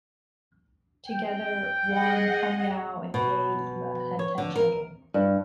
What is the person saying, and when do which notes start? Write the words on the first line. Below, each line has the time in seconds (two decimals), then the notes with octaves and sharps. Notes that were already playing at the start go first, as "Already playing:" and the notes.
Together Won Cumyow and Ye Eva had ten children.
1.08 G5
1.92 G#4 D#5 F#5
3.14 B2
4.19 C#5
4.38 D3
4.56 A#4
5.14 G2